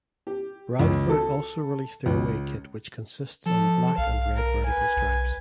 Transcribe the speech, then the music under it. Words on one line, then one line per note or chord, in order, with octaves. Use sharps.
Bradford also released their away kit which consists on Black and Red vertical stripes.
G4
C#2
A4
C#2
F3 A4
B1 F5
A#4
B4 G#5
B1